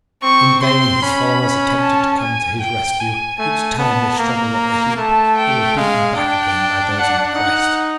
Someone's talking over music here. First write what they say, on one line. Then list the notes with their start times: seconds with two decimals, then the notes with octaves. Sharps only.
In vain his followers attempted to come to his rescue; each time they struggled up the heap they were beaten back again by those on the crest.
0.23 C4 C#6
0.62 C4 C6
1.02 C#4 B5
1.42 C#4
1.81 A5
2.21 G#5
2.61 G5
3.00 G#5
3.39 A3 G#5
3.78 B3 A5
4.18 A#3 A#5
4.97 A3 A5
5.37 G5
5.76 G#3 F5
6.16 D4 G5
6.96 F#5
7.34 D#4 F#5